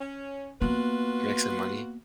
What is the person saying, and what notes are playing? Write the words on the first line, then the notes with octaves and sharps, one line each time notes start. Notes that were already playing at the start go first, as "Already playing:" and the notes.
Make some money?
C#4
A#3 B3 F4 F#4 B4